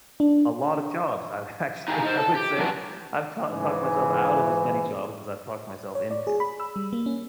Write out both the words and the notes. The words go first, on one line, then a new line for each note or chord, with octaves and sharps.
a lot of jobs, I've actually, I would say I've talk talked myself out of as many jobs as I've talked myself into.
D4
D#4 G4 G#4 F5
D#4 C5
A4
G4
C3 F#3 C#4 D4 F#4
G#2 C#3 E3
C#5
D5
G#4
B5
E6
G3
A#3
C#4